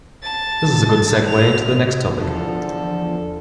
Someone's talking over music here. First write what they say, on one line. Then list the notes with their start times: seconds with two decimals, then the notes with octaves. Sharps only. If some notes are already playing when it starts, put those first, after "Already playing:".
This is a good segway into the next topic.
0.23 A5 A6
1.27 F7
2.17 E2 D3 F3 A4